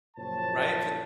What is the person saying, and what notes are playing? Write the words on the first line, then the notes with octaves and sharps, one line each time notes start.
Right, but
F#1 A#2 F3 C5 C#5 A5